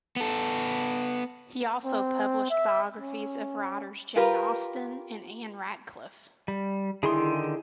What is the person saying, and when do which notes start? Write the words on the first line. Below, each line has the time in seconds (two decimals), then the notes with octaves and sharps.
He also published biographies of writers Jane Austen and Ann Radcliffe.
0.16 B3 A4
1.85 C4
2.50 E5
2.99 C#4
4.16 F4 G4 A#4 B4
6.48 G3
7.03 D3 D#3 E4 G#4 C6